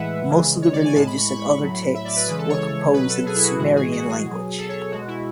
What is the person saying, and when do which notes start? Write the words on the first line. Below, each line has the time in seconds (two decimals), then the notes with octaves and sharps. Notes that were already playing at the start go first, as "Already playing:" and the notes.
Most of the religious and other texts were composed in the Sumerian language.
Already playing: A2 E3 G#3 B4 E5 F#5
0.29 C#3 E3 G#3
0.62 C#5
0.73 D5
0.85 G#5
0.96 A2 G#3 A5
1.07 B5
1.18 C#6
1.28 B5
1.62 A2 F#3
1.95 E5
2.05 D5
2.16 B4
2.27 C#3 E3 G#3 B4
2.38 A4
2.49 C#5
2.93 B2 F#3 B4
3.09 A4
3.26 G#4
3.35 E4
3.44 F#4
3.59 A2 E3 G#3 F#4
3.76 G#4
3.92 F#4
4.09 G#4
4.25 B2 F#3
4.58 A4
4.69 C#5
4.91 B2 G#3 F#4
5.08 E4